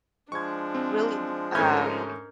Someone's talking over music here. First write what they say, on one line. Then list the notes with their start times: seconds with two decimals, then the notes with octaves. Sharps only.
really l um,
0.32 F3 G#3 D4 C#6 G#6
0.74 C4
1.55 G#2 A3 C#4 A#4 F6 G6 G#6